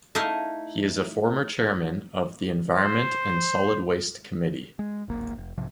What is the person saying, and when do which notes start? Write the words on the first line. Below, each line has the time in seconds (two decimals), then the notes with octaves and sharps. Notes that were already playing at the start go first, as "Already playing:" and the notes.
He is a former Chairman of the Environment and Solid Waste Committee.
0.15 A3 D#4 E4 D#5 F5
2.72 C5
4.79 G#3
5.08 D1 G#1 A#3
5.37 F1
5.58 B1 G#2 C3 F3